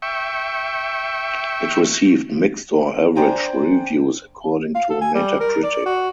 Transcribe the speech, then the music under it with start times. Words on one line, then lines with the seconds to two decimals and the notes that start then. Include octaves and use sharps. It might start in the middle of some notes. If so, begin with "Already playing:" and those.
It received "mixed or average" reviews according to Metacritic.
0.02 E5 G5 C#6
3.16 D4 C5 D5 G5 G#5 A#5
4.75 F5
4.90 A4
5.01 G#5
5.15 G3
5.40 A#4
5.63 D5
5.86 F#4